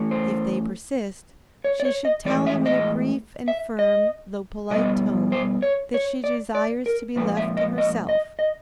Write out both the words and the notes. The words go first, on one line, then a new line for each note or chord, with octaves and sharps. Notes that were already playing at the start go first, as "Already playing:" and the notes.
If they persist, she should tell them in a brief and firm, though polite tone, that she desires to be left to herself.
Already playing: E3 A3 C#4
C5
C#5
D5
C#5
D#5
A2 E3 G#3 D5
E5
D#5
E5
D#5
B2 G3 B3 D#5
C5
C#5
C#5
D5
D5
A#4
A#2 F3 G#3 C4 B4
E5
D#5
D#5
D#5
D#5